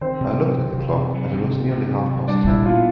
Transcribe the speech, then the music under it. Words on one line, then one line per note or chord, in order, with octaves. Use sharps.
I looked at the clock, and it was nearly half-past ten.
D#3 C4 C5
C3
F#3
C3
D#3
C3
F#3
C3
D#3
C3
F#3
C3
G3 D4 D5
A#2 E4 E5
B3 F4 F5